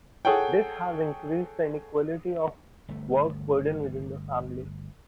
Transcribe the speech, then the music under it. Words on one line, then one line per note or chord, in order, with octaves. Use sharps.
This has increased the inequality of work burden within the family.
G#4 A4 C#5 F#5 G5
G1 A3